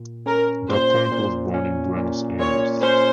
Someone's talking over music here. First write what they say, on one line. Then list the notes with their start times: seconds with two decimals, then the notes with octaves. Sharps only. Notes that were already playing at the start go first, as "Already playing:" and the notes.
Daponte was born in Buenos Aires.
Already playing: A#2
0.26 C#4 A#4
0.69 A#2 C5
1.12 A#2
1.54 C#4
1.97 A#2
2.39 A#2 C#5
2.81 C#4 C5